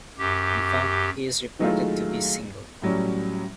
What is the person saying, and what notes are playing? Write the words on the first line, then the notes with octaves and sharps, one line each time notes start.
In fact, he is reported to be single.
F#2 G4
D#3 F#3 G#3 A3 E4 F4
A2 F#3 G3 C#4